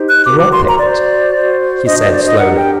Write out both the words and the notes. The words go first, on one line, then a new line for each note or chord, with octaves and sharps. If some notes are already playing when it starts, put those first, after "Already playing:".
"Drop it?" he said slowly ...
Already playing: D#4 G4 C5
F#6
F#4 A#4 D6
D6
C6
A#5
F#4 C5 D5
F#4 C5
D4 F#4 C5 D#5
D#5
D5
D#5
D4 G4 A#4 F#5
G5